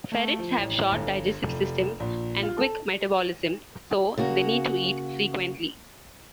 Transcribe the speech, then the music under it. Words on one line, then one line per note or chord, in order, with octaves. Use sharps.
Ferrets have short digestive systems and quick metabolism, so they need to eat frequently.
A3
F3
A1
G1
F1
A#1
F4
A4
C#3 A#3 F#4